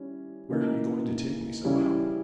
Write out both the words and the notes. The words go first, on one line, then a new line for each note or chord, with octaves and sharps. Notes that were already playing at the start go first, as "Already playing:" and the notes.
'Where are you going to take me?' said Bob.
Already playing: G3 C#4 E4
C#3 E3 A#3 D#4
C#3 E3 G3 C#4 E4